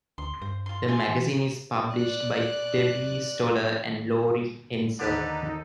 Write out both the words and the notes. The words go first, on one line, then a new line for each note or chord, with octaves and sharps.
The magazine is published by Debbie Stoller and Laurie Henzel.
D2 C6
G2 C5
F4 C6
A3 F4 G#5 C6
E3
D5 F#6
D#2 D3 D#4 G4 A4 B4